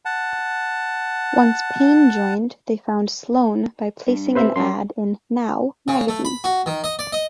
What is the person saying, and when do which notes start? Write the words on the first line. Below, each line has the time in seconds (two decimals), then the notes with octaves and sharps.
Once Payne joined they found Slone by placing an ad in "Now" magazine.
0.05 F#5 A5
4.07 G2
4.35 C3 B4 C5 E5
4.56 F#2 C6
5.88 C#3
6.08 A3
6.25 B5
6.44 F#4
6.66 D#3
6.84 D#5
6.99 D5
7.12 D#5